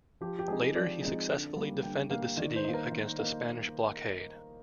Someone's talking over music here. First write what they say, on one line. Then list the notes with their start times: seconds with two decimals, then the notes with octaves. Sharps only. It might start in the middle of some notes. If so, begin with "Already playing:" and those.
Later, he successfully defended the city against a Spanish blockade.
0.21 F3 G4
0.39 G4
0.48 G#3 C4 D#4 G#4
0.75 F3 D5
1.02 G#3 C4 D#4
1.30 D3
1.56 G3 A#3
1.83 D3 G5
2.10 G3 A#3 F5
2.37 D#3 D5
2.56 C5
2.64 A#3 D#4
2.74 A#4
2.92 D#3
3.18 A#3 D#4